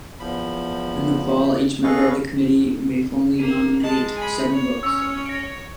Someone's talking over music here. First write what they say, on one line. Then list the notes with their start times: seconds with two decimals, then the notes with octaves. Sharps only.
In the fall each member of the committee may formally nominate seven books.
0.20 E2 F3 B5
1.84 G#4 A4 B4 D#5 F5 C#6
3.39 A#3 D#7
3.83 G#3 D#5 A5
4.16 G#5 B5
4.50 C#5
4.83 C#4 C#6 E6
5.25 A#6 D7